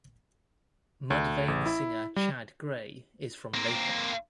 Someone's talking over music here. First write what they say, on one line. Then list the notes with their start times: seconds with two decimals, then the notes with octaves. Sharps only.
Mudvayne singer Chad Gray is from Latham.
1.10 D2
1.48 A1
1.66 E4
2.16 G3
3.54 A#3 C4